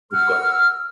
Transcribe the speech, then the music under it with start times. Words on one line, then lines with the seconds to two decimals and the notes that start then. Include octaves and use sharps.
of course.
0.13 F#5 E6 F6